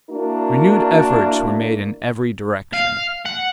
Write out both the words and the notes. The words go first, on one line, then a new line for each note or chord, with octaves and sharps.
Renewed efforts were made in every direction.
A#3 D4 E4 F#4 A#4
F5
F#5